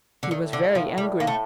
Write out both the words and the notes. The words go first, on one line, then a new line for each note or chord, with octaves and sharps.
He was very angry.
D3
A2 D#3
D3
F3
G3
A#3
A3